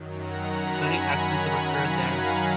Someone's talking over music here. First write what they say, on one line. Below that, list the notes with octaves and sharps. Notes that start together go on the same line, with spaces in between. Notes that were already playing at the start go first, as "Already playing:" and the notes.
Many accidents have occurred there.
Already playing: F#2 D#3 F#3
F#5 A#5
G#5 B5
F#5 A#5
F5 G#5